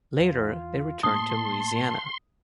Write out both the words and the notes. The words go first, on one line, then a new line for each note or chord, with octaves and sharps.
Later they returned to Louisiana.
E2 F4
A2 A3 A#3 A5 C6 D#6